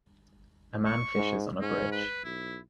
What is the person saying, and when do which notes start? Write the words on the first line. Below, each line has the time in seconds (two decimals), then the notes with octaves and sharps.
A man fishes on a bridge.
0.86 C#6
1.16 G#2
1.61 G#2 C#4
1.92 B4
2.24 B1 E4